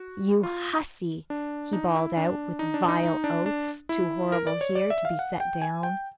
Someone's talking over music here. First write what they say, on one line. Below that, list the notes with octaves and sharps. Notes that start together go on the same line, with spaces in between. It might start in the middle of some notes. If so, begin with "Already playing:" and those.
"You hussy!" he bawled out with vile oaths, too horrible here to be set down.
Already playing: F#4
F4
D4
D#4
E4
D4
D#4
D4
D#4
D#4
D4
D4
E4
A#4
D5
C#5
D5
E5
F5
F#5
G5
G#5
G5